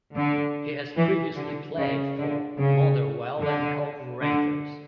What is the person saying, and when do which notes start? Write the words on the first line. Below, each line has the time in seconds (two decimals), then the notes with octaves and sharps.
He has previously played for Motherwell and Cove Rangers.
0.14 D3
0.96 E3
1.36 D3
1.77 C#3
2.18 D3
2.58 C#3
3.40 D3
4.21 D3